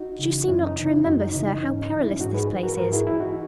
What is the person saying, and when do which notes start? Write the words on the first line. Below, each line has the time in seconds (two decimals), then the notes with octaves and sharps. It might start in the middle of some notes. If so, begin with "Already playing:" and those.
But you seem not to remember, sir, how perilous this place is.'
Already playing: D#4 F#4
0.19 C#3 E3
0.47 F#2 C#4 E4
0.67 D#4
0.76 C#3 E3
0.87 C#4 E4
1.05 F#2 D#4 F#4
1.20 D#4
1.34 C#3 E3 D#4
1.49 D#4
1.63 G#2 C#4
1.82 D#4
1.92 E3
2.01 C#4 E4
2.20 G#2 D#4 F#4
2.34 G#4 B4
2.48 E3
2.63 F#4 A#4
2.72 B4
2.77 G#2 F#4 A#4
2.92 E4 G#4
3.07 E3 E4 G#4
3.20 D#4 F#4